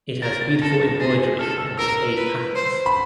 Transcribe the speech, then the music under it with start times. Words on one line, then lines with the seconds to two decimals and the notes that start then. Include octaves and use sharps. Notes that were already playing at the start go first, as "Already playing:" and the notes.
It has beautiful embroidery and brocade patterns.
0.22 A#4 A6
0.41 A6
0.62 A4 A#6
0.71 A6
0.82 A#6
1.00 G#4 A6
1.39 A4 F6
1.58 E6
1.77 A#4 E6
2.17 B4
2.55 C5
2.86 B5